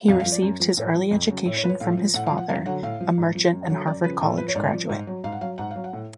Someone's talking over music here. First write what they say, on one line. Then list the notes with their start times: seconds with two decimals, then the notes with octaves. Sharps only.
He received his early education from his father, a merchant and Harvard College graduate.
0.08 F2 F5
0.20 F5
0.26 F3
0.32 D5
0.42 F#2
0.60 F3
0.77 A2
0.95 F3
1.11 F2
1.29 C#3 F#3
1.46 A2 C#5
1.57 C#5
1.63 F3 B4
1.69 C#5
1.80 A2 F5
1.97 F3
2.14 A2 F#5
2.27 F5
2.32 F3
2.38 F#5
2.49 F#2 F5
2.66 D3 F#3 F#5
2.83 A2 F5
3.01 F3
3.18 G#2
3.35 F3
3.52 F#2
3.70 D3 F#3
3.86 F#2 D5
4.03 C#3 F3 B4
4.22 A2
4.38 F3 B4
4.48 C#5
4.55 G#2 D5
4.73 F3
4.90 G#2
5.07 F#3
5.24 G#2 F5
5.32 F#5
5.41 F#3 F5
5.58 G#2 F#5
5.71 F#3 F5
5.84 F#5
5.93 A2